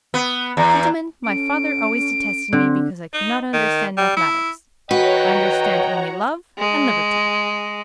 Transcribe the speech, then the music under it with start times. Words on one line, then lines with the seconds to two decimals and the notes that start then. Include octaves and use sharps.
Gentlemen, my father always detested me because I could not understand mathematics. I understand only love and liberty.
0.14 B3
0.57 E2
1.24 C#4 A4 D7
2.53 D3 C4 C6
3.14 D#4
3.53 D#3
3.97 G3
4.17 E4
4.91 F#4 B4 C#5 D#5 F#5 G5 A#5
6.58 G#3